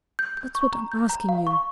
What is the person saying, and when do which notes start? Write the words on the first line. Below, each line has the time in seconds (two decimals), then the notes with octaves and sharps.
That's what I'm asking you!
0.19 G6
0.37 G6
0.55 C#6
0.73 A#5
0.92 G6
1.09 A#5
1.29 F5
1.47 C#6